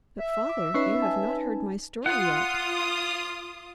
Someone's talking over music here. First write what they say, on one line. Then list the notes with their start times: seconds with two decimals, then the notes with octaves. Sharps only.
"But, father, you have not heard my story yet."
0.19 E5
0.49 D6
0.74 C#4 D#4 B4 C#6 F#6 C7
1.02 G#5 A5
2.06 F4 F#5 D#6